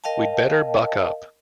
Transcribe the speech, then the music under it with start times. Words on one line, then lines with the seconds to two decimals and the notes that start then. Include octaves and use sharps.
We’d better buck up.
0.04 A#4 D#5 F5 G5 A5